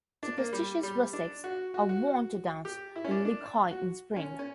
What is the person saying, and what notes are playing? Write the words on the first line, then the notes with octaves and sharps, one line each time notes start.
Superstitious rustics are wont to dance and leap high in spring.
D4
A#3
G3
G3
D4
F#4
F#4
F#4
G4
E4
C#4
D4
D4
F#4
C#4
C#4